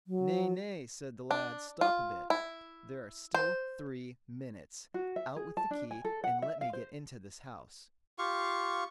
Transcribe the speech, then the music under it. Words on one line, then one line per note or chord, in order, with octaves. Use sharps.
'Nay, nay!' said the lad; 'stop a bit, there are still three minutes! Out with the key, and let me get into this house.'
F#3
D4
F4
E4
C5
F#4
E5
G#4
A5
D4
G#5
A4
F#5
E5
F5
C5
F4 G4 F5 C#6